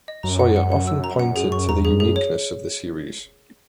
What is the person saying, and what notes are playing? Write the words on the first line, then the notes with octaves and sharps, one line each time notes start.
Sawyer often pointed to the uniqueness of the series.
D#5
F#2 A#5
F#5
F#5
F#5
E6
A#5
F#5
G#4
C#6
E2 A#5
G#4
F#2
G#4
C#5